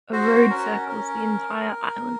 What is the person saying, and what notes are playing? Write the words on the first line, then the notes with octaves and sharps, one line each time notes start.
A road circles the entire island.
F#4 C5
C#4 A#4
C#4 A#4